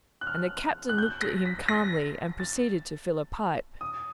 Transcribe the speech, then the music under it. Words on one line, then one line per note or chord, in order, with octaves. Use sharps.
And the captain looked at him calmly and proceeded to fill a pipe.
F#6
F6
F#6
G6
A#6
B6
A#6
A6
D#6